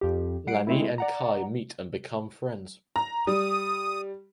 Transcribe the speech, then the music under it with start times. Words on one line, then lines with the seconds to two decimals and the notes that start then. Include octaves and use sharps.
Lani and Kai meet and become friends.
0.01 F2 G4
0.47 G3 F#5 C7 D7
0.67 G#3 A3 C4 E4
0.98 D5 F#5 A#5
2.96 A#5
3.27 G3 D#6